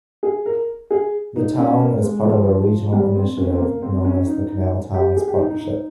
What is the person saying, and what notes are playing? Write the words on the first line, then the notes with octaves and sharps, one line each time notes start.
The town is part of a regional initiative known as the Canal Towns Partnership.
G#4
A#4
G#4
D#4
C#4
A#3
G#3
F3
G3
C4
C#4
C4
A#3
C4
C#4
D#4
D#4
G4
G#4
G4
D#4
D#4
D#4